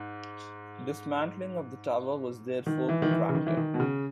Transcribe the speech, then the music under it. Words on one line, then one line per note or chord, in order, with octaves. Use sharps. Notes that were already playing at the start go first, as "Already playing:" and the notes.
Dismantling of the tower was therefore protracted.
Already playing: G#2
D#3
E3
D#3
E3
C#3
D#3
E3
D#3
B2
C#3